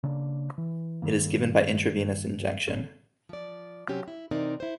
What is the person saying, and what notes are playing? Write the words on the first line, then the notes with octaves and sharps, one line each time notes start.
It is given by intravenous injection.
C#3 A#3 D4
E3
G2 D#3 A#3
G1 A2 C#4
F3 D5
C3 F#3 C4 C#4 G4
E4
C3 E3 C4 D#4 A#4 D5
E4 C5